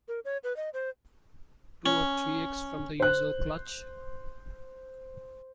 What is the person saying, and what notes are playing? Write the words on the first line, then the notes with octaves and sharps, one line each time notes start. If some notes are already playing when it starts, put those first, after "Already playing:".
Two or three eggs form the usual clutch.
A#4
C#5
B4
D#5
C5
C#4
C5 F#6